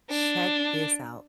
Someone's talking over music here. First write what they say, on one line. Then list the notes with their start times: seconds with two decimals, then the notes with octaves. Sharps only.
Check this out.
0.10 D4